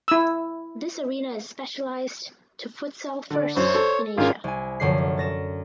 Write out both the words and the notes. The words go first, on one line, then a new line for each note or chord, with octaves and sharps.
This arena is specialized to futsal first in Asia.
E4 E6
D3 D5
F#2 C5 C#5 C#6
A4
G#1 C#4 F4 G#4 A#4
C2 G#5
F1 F#2 D3 C7
A6 A#6 E7